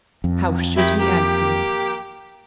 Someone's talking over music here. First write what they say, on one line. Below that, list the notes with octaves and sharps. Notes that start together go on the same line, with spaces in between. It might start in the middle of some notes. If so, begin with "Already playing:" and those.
How should he answer it?
F2
D#3 E4 G4
A#3 G4